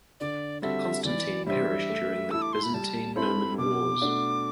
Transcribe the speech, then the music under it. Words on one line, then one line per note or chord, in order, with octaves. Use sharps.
Constantine perished during the Byzantine–Norman wars.
D3 D5
G3 C4 F#4 A4 E5
E3 D5
G3 D4 G4 C5 E5
A3
E4 A4 E6
D6
C6
B5
G3 A5
C4 E4 A4 C5 B5
B2 D6
A3 D4 F#4